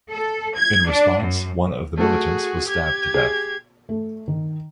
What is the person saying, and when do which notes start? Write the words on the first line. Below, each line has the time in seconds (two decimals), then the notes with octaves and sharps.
In response one of the militants was stabbed to death.
0.12 A4
0.55 G#6
0.89 D4
1.22 F#2
1.97 A3 F#4 G#4 A4
2.68 G4 G#6
3.14 G#4
3.89 A3
4.28 D#3